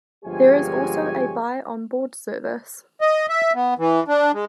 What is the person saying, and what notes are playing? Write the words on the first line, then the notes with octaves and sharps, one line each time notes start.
There is also a buy on board service.
G1 F3 G#3 G4 C#5 G#5
D#5
E5
B3
E3
D4
G#3